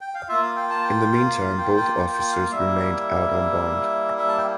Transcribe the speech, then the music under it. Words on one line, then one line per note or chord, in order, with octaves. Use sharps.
In the meantime both officers remained out on bond.
G5
F5
A#3 F4 E5
F5
G5
A5
G5
F5
F5
G5
G5
G5
G5
F5
G3 A#3 E4 E5
E5
A5
G5